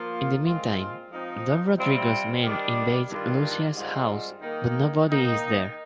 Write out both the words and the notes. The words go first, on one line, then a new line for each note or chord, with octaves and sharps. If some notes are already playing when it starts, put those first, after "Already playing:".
In the meantime, Don Rodrigo's men invade Lucia's house, but nobody is there.
Already playing: F3 A#3 F4
A#2 G#3 C4 F4
F3 C4 D#4
C3 G3 C4 F4
D#3 G3 D4
G2 D#3 G3 D4 F4
G#2 G3 C4 F4
D#3 A#3 D#4
D#3 A#3 D#4